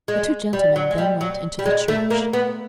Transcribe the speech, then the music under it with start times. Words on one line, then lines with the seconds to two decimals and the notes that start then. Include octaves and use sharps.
The two gentlemen then went into the church.
0.08 G#3
0.53 G3
0.76 F#3
0.91 G#3
0.98 G3
1.21 F#3
1.59 G3
1.66 G#3
1.88 A3
2.10 A#3
2.33 B3